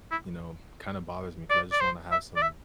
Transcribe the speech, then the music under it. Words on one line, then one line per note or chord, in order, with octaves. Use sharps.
you know, kinda bothers me 'cause I just wanna have some
E4
D5
D5
C5
E5
D5
E5